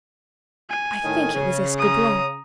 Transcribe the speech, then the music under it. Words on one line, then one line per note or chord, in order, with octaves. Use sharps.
I think it was Escoublon.
G#5
A2 D#3
C#3
A#5 D#6